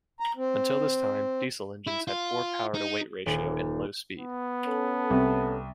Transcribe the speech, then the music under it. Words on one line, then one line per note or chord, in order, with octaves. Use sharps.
Until this time, Diesel engines had poor power-to-weight ratio and low speed.
A#5
C4
E4
F4
D#4
D#1
B3
C#4 A4
C2